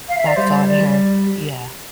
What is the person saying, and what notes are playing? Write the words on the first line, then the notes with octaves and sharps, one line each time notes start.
That's on her, yeah.
F5
E5
D5
G3 C5
D5
G3